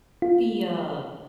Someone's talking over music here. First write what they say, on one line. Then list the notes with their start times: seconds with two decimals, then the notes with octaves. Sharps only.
the, uh,
0.22 F4